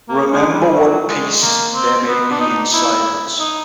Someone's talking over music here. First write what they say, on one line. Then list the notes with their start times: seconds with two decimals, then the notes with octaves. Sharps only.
Remember what peace there may be in silence.
0.09 A#3
0.31 G#3
0.52 G3
0.75 F#3
1.08 G#3
1.42 A#3
1.74 C4
2.07 B3
2.31 D4
2.40 D#4
2.73 E4
3.39 D#4